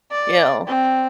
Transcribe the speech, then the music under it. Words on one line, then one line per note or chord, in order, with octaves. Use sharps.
you know?
D5
C4